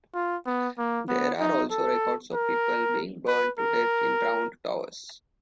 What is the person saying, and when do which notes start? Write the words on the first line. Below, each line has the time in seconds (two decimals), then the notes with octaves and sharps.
There are also records of people being burned to death in round towers.
0.14 F4
0.46 B3
0.78 A#3
1.08 B3
1.40 D#4
1.71 A4
2.34 A#4
3.28 B4
3.59 A#4